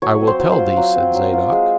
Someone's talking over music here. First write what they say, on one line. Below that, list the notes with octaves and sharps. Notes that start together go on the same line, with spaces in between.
"I will tell thee," said Zadok.
F#3 C#5
C4
C5
F#3
C5
F4
F#3
C4
F#3
F4
G#3